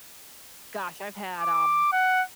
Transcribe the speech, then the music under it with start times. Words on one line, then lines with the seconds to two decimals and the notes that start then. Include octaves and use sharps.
gosh, I've had, um
1.40 D6
1.92 F#5